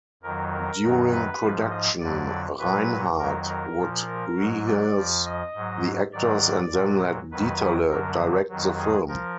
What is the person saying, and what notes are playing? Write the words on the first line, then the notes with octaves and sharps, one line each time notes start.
During production, Reinhardt would rehearse the actors and then let Dieterle direct the film.
F2 D#3 F#3 A#4
A#4
F#2 D#3 F#3
B4
G#2 F3
D#5
F2 D3 F#3 D5
A#2 F#3 B4
F2 D#3 F#3 A#4
A#4
A#2 F3
A#4
G#2 F#3
D5
F2 F3
D#5
G#2 F#3
G#2 D#3 F#3 D5
A#2 F#3
F2 D#3 F#3 B4
F#2 D3 F#3 A#4
F2 D#3 F#3
G#4
F3 A#4